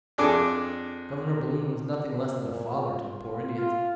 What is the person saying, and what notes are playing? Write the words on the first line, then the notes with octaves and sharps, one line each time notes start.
Governor Balloon was nothing less than a father to the poor Indians.
F2 D4 G#4 A4 D6
A#2
F4
F4